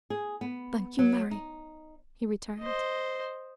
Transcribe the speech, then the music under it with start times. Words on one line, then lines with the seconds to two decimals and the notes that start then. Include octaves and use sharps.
"Thank you, Mary," he returned.
0.10 G#4
0.41 B3
0.99 F#3
1.31 D#4
2.59 C5 D#5